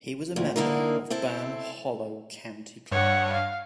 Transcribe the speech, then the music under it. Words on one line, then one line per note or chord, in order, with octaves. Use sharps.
He was a member of Bamm Hollow Country Club.
D2 A#2
D3 A#3 D#4 E4 A#4
C4 E4 A4
G2 C#5 F#5
F5